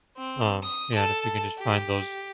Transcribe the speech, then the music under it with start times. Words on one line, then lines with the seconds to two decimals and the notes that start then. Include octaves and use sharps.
um, yeah, and if we can just find those,
0.17 C4
0.62 D#6
0.94 A4 A5
1.58 G4